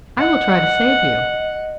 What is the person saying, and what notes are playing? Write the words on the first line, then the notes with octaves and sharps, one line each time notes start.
I will try to save you.
D#5 F#5